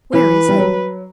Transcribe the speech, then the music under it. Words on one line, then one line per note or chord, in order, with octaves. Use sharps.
'Where is it?
E3 B4
G3
F#3